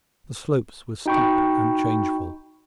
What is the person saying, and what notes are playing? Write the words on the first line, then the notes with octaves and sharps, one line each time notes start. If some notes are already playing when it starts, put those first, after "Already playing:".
The slopes were steep and changeful.
D#4 F#4 G5 B5 C#6